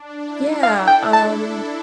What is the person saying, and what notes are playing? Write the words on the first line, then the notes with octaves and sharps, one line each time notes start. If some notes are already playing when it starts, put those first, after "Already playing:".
Yeah, um,
Already playing: D4
E4
A4 F5
G5
A5